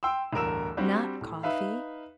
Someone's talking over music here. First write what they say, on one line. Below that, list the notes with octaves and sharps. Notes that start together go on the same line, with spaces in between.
Not coffee.
G5 C6 E6
D1 E2 G2 A#4 E6 E7
G3 C4 D4 F#4 G4
A2
D#4 B4 E5 F5